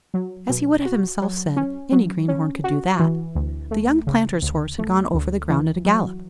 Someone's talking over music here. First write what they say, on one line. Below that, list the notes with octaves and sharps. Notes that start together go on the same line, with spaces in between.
As he would have himself said, any greenhorn could do that. The young planter's horse had gone over the ground at a gallop.
F#3
B2
F#4
F#3
C#4
F#3
C#4
F#4
E3
D2
A3
C#3
D2
A3
D2
E3
F#3